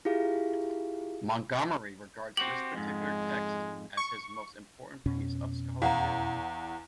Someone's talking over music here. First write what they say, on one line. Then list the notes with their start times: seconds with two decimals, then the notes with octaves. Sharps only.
Montgomery regards this particular text as his most important piece of scholarship.
0.05 E4 F4 G4 G#4 F5
2.37 C4 F#4 G4 F#7
2.75 F2 G#2 G#3
3.97 C#6
5.06 F2 B2 C#4
5.82 E2 F5 F#5 A#5